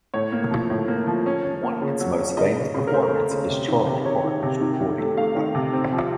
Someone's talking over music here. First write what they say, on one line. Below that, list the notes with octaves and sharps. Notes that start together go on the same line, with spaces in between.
One of its most famous performances is Charlie Parker's recording for Dial.
A2 C#5
A#3
F3
A2
A#3
F3
C#4
C#4
A#3
C#3
F#3
F#3
C#3 D#5
C#3
C#3
A#4
A3 C5
A3
C#3
C3
D#3
C3
D#3 C#5
D#3
C3
D#3
D#3
A3
A3 F5
D#3
C3
C4
F3